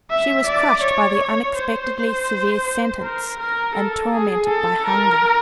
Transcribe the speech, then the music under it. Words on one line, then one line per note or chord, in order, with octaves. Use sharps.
She was crushed by the unexpectedly severe sentence and tormented by hunger.
E5
D5
C#5
C5
A#4
A#4
A4
G#4
A4
A#4